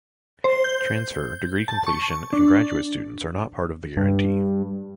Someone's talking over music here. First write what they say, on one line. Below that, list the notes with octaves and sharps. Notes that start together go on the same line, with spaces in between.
Transfer, degree completion and graduate students are not part of the guarantee.
C5
G6
A5
C#6
D4
G2